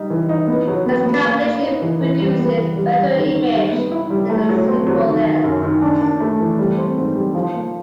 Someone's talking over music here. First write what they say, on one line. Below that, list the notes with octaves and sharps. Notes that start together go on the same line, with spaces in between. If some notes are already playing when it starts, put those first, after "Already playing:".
This combination produces a better image than a simple lens.
Already playing: G3 D#4
E3
D#4
B3
F#3
B3
B3
A#3
A#3
D#4
E3
E3
G3
B3
E3
G3
G3
D#3
D#3
G3
B3
E4
G3
A3
F#3
C4
F#3
D#3
D#3
F#2
D#3
D4
D4
A3
E3
G3
C4
G#2
G3
F3
A#3